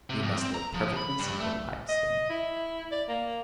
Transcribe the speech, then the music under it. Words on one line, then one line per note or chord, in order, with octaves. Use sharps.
We must live perfectly separate lives, then.
C3
F2
C4
A#5
F3
B5
G2
A3
D#5
E4
D5
A#3